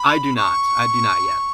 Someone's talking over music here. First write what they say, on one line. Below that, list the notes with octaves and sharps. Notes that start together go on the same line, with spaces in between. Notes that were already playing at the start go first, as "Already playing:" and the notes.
I do not. I do not yet,
Already playing: B5
C#6